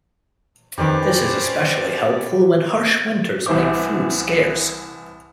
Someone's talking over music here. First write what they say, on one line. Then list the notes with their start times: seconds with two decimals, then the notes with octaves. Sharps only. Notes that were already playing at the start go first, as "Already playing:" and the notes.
This is especially helpful when harsh winters make food scarce.
0.78 F2 D#3 C#4 G4 B4 C5 D5
3.46 C2 E3 E4 C5 D6